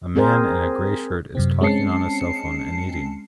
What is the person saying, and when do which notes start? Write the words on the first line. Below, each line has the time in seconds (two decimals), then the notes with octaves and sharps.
A man in a gray shirt is talking on a cellphone and eating.
0.16 C4 G#4 A#4 C5
1.35 F#2 C3 C4
1.61 G#3 C4 C#4 A5 C7 C#7